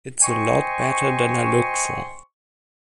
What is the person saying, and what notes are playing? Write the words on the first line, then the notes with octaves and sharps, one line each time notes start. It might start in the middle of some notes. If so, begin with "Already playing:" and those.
It's a lot better than I looked for.
C5 D#5 G5 G#5 C6 C#6